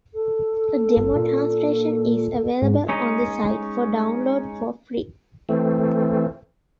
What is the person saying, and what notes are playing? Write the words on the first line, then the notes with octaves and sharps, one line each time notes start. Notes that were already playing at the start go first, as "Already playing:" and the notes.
A demo translation is available on the site for download for free.
A4
G1
A#2
G#2
G#3 C#4 D#4
E3 A3 C4